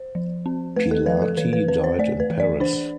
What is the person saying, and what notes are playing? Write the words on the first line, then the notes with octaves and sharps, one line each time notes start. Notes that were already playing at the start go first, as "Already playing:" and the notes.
Pilati died in Paris.
Already playing: C5
F3
C4
A3 B4
A4
F3 B4
A4
E3 B4
B4
C4 B4
C5
A3 D5
B4
E3
D5
D4 C5